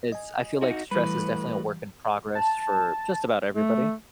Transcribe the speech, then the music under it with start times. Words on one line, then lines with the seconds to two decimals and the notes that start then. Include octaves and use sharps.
it's I feel like stress is definitely a work in progress for just about everybody,
0.12 D#5 G#5
0.62 D#4 F#4
0.91 A2 E3 G3 B4
2.35 A5
3.55 A3